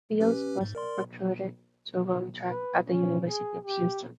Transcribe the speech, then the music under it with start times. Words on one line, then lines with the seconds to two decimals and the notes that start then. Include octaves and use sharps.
Fields was recruited to run track at the University of Houston.
0.20 C#4 G4 B4
0.61 G#2
0.75 A#4 D5 C6
2.51 B4
2.88 C#4
3.27 G#4
3.65 G4